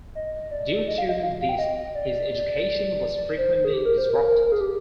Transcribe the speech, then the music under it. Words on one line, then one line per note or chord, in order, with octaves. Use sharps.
Due to this his education was frequently disrupted.
D#5
D5
D#5
F5
D#5
F5
F5
G5
D#5
D5
D5
D5
C5
G#4
G4
A#4
C5
A#4
A#4
A#4
G#4
G4